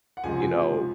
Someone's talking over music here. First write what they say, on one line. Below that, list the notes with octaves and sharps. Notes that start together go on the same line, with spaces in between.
you know
F#5
C#2 C3 F3 G#3 G#5